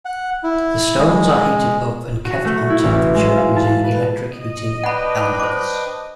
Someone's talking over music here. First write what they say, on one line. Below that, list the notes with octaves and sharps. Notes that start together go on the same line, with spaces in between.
The stones are heated up and kept on temperature using electric heating elements.
F#5
E4
G#3
F#4
A3
E4
A1
G#3
F5
A5
B4
D#5
D4 B4 F#5 G5 B5
C5 D6